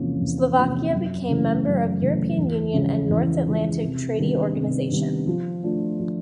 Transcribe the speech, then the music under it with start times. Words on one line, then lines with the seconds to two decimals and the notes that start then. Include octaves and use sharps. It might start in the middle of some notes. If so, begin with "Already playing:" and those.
Slovakia became member of European Union and North Atlantic Treaty Organisation.
Already playing: E2 C3 F3 A#3 C#4
0.21 E2
0.57 C3 F3 A#3 C#4
0.93 F#2
1.28 C#3 E3 A3
1.65 F#2
2.01 C#3 E3 A3
2.37 E2
2.74 C#3 F3 G#3
3.09 E2
3.46 C#3 F3 G#3
3.82 C3
4.18 D#3 G3 B3 D4
4.55 C3
4.91 D#3 G3 B3 D4
5.27 F3
5.63 A3 D4 F4
5.99 F3